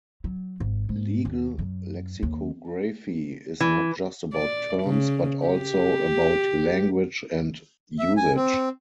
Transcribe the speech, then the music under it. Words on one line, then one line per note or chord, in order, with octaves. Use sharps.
Legal lexicography is not just about terms, but also about language and usage.
F#3
G#1
G#2
D#2
F#2
D#2
E3
D5
C#3
G4
E5
G#5
C4